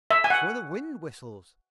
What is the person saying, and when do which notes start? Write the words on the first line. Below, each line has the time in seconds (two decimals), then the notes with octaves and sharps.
That's where the wind whistles.
0.11 E5
0.24 G#5
0.30 F#5